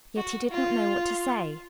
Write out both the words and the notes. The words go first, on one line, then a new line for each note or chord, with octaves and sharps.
Yet he did not know what to say.
F#4
F4